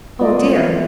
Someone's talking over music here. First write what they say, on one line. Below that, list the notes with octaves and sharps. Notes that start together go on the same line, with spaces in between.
Oh, dear!
G#3 B3 F4 B4 D5 D#5
E4 B4 F5